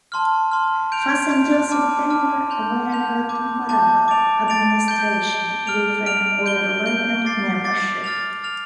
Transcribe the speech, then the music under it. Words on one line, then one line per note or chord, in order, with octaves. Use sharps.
Thus, until September there were two parallel administrations, with an overlapping membership.
A5 C6 F6
A5 C6 F6
G6 D7 F7
G6 D7 F7
A5 D6 F6
A5 D6 F6
A5 C6 G6 F7
A5 C6 G6 F7
A5 D6 G6
A5 D6 G6
D6 A6 D7 F7
D6 A6 D7 F7
G6 D7 G7
G6 D7 G7
F6 D7 F7
F6 D7 F7
G6 D7 G7
G6 D7 G7
D6 A6 C7
D6 A6 C7
F6 A6 F7
F6 A6 F7